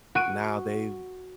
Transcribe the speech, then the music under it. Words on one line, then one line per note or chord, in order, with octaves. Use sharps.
now they've
F#4 D7 D#7